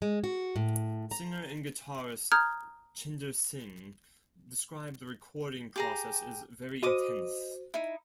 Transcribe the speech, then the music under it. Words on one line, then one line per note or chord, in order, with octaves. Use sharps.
Singer and guitarist Tjinder Singh described the recording process as very intense.
G#3
F#4
A2
A#5
A#5 D#6 F6 G6 G#6
G4 G#4 A#5
F#4 C5 D#5 D6 D#6
D#4 E4